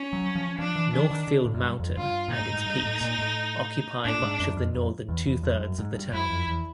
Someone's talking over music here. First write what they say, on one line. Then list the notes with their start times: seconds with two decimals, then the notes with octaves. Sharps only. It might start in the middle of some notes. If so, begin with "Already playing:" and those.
Northfield Mountain and its peaks occupy much of the northern two-thirds of the town.
Already playing: C#4
0.13 F#3
0.35 F3
0.59 F3 D4
0.76 E3
0.93 E3 D4
1.11 D#3
1.28 D3
1.45 A2
1.54 F#2
1.62 G2
1.80 F2
1.97 G2 F4
2.28 A#2 D#4
2.42 A2
2.53 G#2
2.66 G2
2.84 A2
3.01 A#2
3.19 A2
4.05 A2 D4
4.22 G#2
4.40 F#2
4.57 F2
4.75 F2
5.09 E2
5.26 E2
5.43 F2
5.53 G2
5.61 F#2
5.78 G#2
5.95 G2
6.13 F#2 E4
6.30 F2
6.47 E2